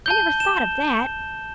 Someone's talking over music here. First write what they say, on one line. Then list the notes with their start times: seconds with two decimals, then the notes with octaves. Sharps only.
I never thought of that.
0.06 A5 G6 G7
0.40 E7